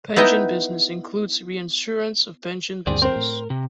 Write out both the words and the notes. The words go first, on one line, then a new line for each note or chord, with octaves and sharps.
Pension business includes reinsurance of pension business.
B3 D#4 E4 D#5 G5
D2 G2 C4 G#4 D5
C4 A#4 C5
A2
C3